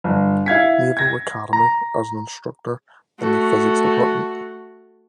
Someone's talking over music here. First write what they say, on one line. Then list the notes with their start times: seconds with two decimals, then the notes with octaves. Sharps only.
Naval Academy as an instructor in the Physics Department.
0.04 G1
0.46 E4 F5 G#6 B6
0.97 G#6 A#6
1.53 A#5
3.20 A3 F#4